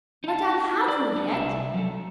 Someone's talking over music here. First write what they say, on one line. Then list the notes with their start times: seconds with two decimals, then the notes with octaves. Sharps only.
'But I'll have you yet.
0.24 D#4 A5
0.88 D5
1.16 B3 D4
1.33 C2 E5
1.74 F#3 A4